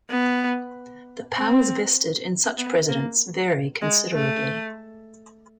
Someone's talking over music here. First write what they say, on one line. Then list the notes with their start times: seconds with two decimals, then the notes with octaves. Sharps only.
The powers vested in such presidents vary considerably.
0.10 B3
1.34 C4
2.58 B3
2.89 A#3
3.82 G#3
4.13 A3